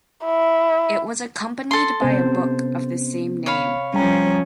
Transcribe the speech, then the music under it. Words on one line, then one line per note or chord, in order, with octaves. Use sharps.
It was accompanied by a book of the same name.
E4
A4 C6
C3 B3 C#4 C5
C#5 F5 B5
F3 G3 C#4 G5 A#5